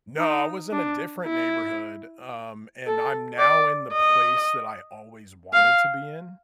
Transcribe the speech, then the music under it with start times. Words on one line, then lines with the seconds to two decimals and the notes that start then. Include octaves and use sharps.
No, I was in a different neighborhood, um, and I'm now in the place that I always wanted to be in.
0.18 D#4
0.72 D4
1.25 E4
2.86 A4
3.39 D5
3.93 D#5
5.53 F5